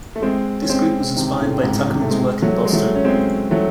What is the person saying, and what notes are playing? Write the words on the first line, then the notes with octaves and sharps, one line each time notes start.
This group was inspired by Tuckerman's work in Boston.
A3
G#3 C4
C#4
G#3 C4
C3 D#3
A2 C#3
G#2 C3
C3 D#3
A3
G#3 C4
F#3 A3
G#3
F#3 A3
C#4
G#3 C4
F#3 A3